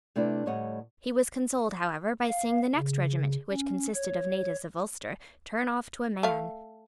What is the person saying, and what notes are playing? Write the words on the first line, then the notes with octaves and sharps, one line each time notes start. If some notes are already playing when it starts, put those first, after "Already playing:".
He was consoled, however, by seeing the next regiment, which consisted of natives of Ulster, turn off to a man.
C3 A3 D4 E4 B4 D5
D2 A2 G3 C#5 D#5 F#5
F5
C#3
C#4
C#5
A3 F5